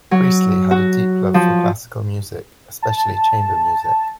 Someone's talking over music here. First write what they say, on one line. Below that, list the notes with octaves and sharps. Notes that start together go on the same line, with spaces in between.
Priestley had a deep love for classical music especially chamber music.
F#3
F#4
F3
A5